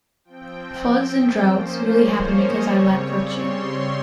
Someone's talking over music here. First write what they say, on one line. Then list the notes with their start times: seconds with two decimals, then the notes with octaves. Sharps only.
Floods and droughts really happen because I lack virtue.
0.25 F3 C4 G5
1.47 F3 A#3 C#4 C5
2.08 C#5
2.38 D#5
2.68 C#3 G3 C4 C#5
3.29 C6